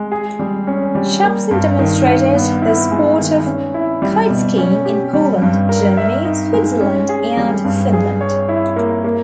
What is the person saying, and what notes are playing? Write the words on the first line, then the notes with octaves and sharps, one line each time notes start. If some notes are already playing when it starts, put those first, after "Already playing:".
Shapson demonstrated the sport of 'kiteskiing' in Poland, Germany, Switzerland and Finland.
Already playing: G#3
G#4
G3
C#4
G3
A#3
G2
D#3
G2
B3
E4
G#3
D#3
C#4
E4
G3
B2
C#4
G4
G3
G2
A#4
E5
D#4
G#3
C#4
G#4
G3
G2
G#4
C#5
E4
A#3
A#3